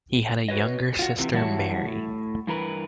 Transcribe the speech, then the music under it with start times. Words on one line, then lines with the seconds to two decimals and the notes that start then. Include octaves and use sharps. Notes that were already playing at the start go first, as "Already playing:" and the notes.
He had a younger sister Mary.
0.48 F#4 B4 C#5 D#5
0.99 F4 F#4
1.19 C3 E3
1.33 E3 G3 E4 F#4 C#5 A5
1.86 A2
2.47 G2 E3 A#4 B4